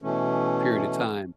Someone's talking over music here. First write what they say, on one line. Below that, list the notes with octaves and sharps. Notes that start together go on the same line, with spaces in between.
period of time.
B2 E3 A3 C#4